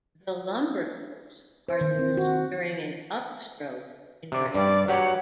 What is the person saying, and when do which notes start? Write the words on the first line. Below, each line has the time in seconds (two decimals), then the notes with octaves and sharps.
The lumbricals are used during an upstroke in writing.
1.69 C5
1.81 D#3
1.99 C4
2.17 F#4
4.32 C3 D5
4.54 G2 G3 D5
4.88 F#3 G4 C#5 F#5